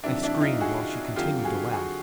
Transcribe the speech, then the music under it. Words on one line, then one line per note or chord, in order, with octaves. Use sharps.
I screamed while she continued to laugh.
F2 C3 D#3 F#3 D4 E4
D4 E4
D#4 F4
F#4 G#4
F2 D3 F#3 F4 G4
F#4 G#4
F#4 G#4